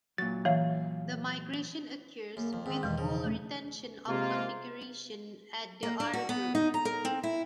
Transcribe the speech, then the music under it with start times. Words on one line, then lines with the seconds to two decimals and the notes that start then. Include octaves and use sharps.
The migration occurs with full retention of configuration at the R-group.
0.18 A#2 F#3 A6
0.45 E3 C#5 F5
2.37 F#2 A#3
2.53 F2 F3
2.66 G#2 D#3 C4
2.83 E2 G2 B2 E3 G#3
2.98 C#3 F3
3.23 A3
4.08 C3 G#3 A#3 F4
5.83 A#3
6.00 D4
6.13 F#4
6.29 B3
6.55 D#4
6.74 A#5
6.85 A#4
7.05 C4
7.23 E4